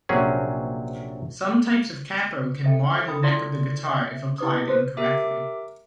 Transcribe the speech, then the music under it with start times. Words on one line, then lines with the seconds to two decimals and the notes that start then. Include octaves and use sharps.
Some types of capo can mar the neck of the guitar if applied incorrectly.
0.09 A#1 C3 F#3 C#4 G#4
2.64 A4 E5 G5
3.07 A4 G5 B5 D#6
3.22 E4 F4 D5 C6
3.87 E5
4.38 E4 G4 B4 D6 D#6
4.68 F#4 B4 C5
4.97 G4 A#4 E5 D6